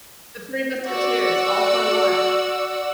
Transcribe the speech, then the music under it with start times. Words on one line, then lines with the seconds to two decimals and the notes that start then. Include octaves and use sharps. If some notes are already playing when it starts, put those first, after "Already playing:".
The Three Musketeers: "All for one."
0.86 F#4 D5 F#5 E6